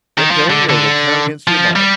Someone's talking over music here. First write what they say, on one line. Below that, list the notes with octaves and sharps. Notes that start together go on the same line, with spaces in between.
"Get going or it'll count against your mark!"
D#3
F3
D3
D3
F3
G3